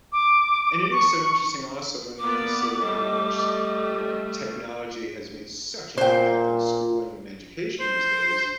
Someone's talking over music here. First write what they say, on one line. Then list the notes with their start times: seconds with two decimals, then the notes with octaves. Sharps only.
And it is so interesting also when you consider how much, you know, technology has made such an impact on schooling and education these days.
0.13 D6
0.91 C#6
2.19 A#3 B3 D5 D6
2.81 G3 A3 G4 D#5
5.97 A#2 C5 G5
7.80 C5